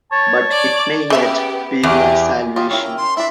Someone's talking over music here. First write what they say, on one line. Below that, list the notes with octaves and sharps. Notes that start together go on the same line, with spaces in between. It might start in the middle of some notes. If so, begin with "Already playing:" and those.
But it may yet be my salvation.
C#5 A5
D5
C#3 B3 G4 E5 F5
E2 G4 G#4
F4 G4 D#5
C#4 E4 A#4 G5
C6
D4 E4 E5